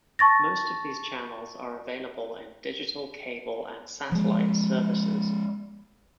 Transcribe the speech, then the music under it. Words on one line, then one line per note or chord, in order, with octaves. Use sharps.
Most of these channels are available in digital cable and satellite services.
A5 C#6 A6 A#6
F3 G#3